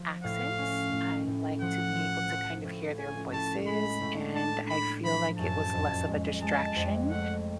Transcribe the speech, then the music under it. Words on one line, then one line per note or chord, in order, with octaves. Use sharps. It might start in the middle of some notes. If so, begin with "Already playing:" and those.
accents, I like to be able to kind of hear their voices, and I feel like it was less of a distraction
Already playing: F3
A2 F5
C#4
A2
A2
F3 F#5
F3
F3
A2
C#4 G#5
A2 A5
G#3 B5
A2
D4 A5
D4 B5
F3 B5
F#2 A5
F2
G#3
G#3 A5
F2
A3 F#5